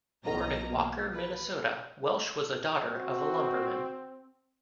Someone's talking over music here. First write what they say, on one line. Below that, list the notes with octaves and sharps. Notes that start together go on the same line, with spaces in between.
Born in Walker, Minnesota, Welsh was a daughter of a lumberman.
B1 B2 C#4 D#5 A#5 A#6
A#3
B4
C4 F#4